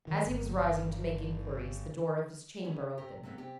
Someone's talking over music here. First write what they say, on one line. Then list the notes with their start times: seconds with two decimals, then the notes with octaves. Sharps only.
As he was rising to make inquiries, the door of his chamber opened.
0.07 D#3
0.25 G1
2.64 D#3 C#4 G4 G#4
2.97 C3 G4 A#4
3.23 C3 F#3 A#3 B3
3.38 C3 G4